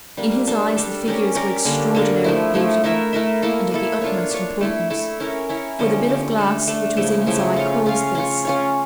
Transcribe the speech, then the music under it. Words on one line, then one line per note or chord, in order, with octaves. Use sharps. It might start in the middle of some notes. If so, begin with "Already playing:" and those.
In his eyes the figures were extraordinarily beautiful, and of the utmost importance; for the bit of glass which was in his eye caused this.
G3 A#3 D4
G3 D4 A4
G3 D4 A4
C#4 G4 A#4 D5
C#4 G4 A#4 D5
D3 G3 A#3 D4
D3 G3 A#3 D4
F3 A3 E4
F3 A3 E4
A3 E4 A#4 E5
A3 E4 A#4 E5
A#3 E4 A4
A#3 E4 A4
D4 F4 C#5
D4 F4 C#5
A3 E4 A4
A3 E4 A4
C#4 E4 A#4 C#5
C#4 E4 A#4 C#5
D3 F3 C#4 G4
D3 F3 C#4 G4
A3 D4 A4
A3 D4 A4
C#3 F3 A3 E4
C#3 F3 A3 E4
C#4 F4 C#5 F5
C#4 F4 C#5 F5
C#4 F4 C#5
C#4 F4 C#5